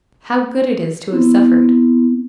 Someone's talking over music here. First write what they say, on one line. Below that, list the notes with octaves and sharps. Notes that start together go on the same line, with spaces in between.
How good it is to have suffered!
B3 C4 E4